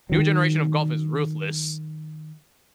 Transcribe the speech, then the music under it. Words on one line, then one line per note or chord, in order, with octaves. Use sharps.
New generation of golf is ruthless.
D#3 F#3